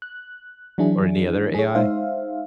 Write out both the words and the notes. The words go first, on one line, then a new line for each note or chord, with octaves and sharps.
or any other AI?
F#6
E3 F#3 D4 E4 G#4
G#4 C#5
G#3 D#4 C5 E5 F5